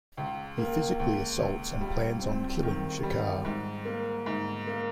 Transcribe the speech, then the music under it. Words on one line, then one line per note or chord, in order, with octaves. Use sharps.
He physically assaults and plans on killing Shekar.
C#2
A#3
C#2
C#2
G3
C4
D#3
G3
G#2
A#3
G#2
A#3